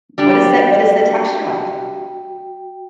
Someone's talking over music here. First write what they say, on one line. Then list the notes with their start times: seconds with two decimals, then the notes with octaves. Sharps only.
What is tha what is the texture like?
0.18 G3 D4 F#4 G4 G5